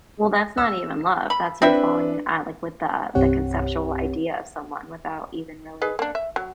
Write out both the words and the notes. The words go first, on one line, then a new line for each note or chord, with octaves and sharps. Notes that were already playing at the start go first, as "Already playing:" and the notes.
Well, that's not even love, that's you falling in at like, with the the conceptual idea of someone without even really
E6
B5
C4 D4 E4 B4 E5
C2 G2 C4 G4 C#5 F#5
G#4 B4 D#5
A#3 D4
E5
F#3